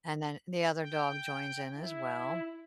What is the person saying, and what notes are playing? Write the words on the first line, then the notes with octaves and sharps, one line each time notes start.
and then the other dog joins in as well.
G5
E4